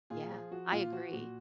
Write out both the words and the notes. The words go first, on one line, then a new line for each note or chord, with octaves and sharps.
Yeah. I agree.
A#2 F4 G#4
F3
F3 F#4
A#2 F4
F3 F#4
A#2 F#4